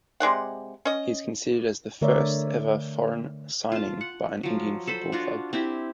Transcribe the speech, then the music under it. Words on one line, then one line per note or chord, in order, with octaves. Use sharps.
He is considered as the first ever foreign signing by an Indian football club.
C3 G#3 D5 F#5
C#4 D#5
D3 A3 A#4 C#5 D5 E5
F4 A5
F#5
F3 F#3
A4 C5 B5
D4 F4 F#4
C4 E4 G4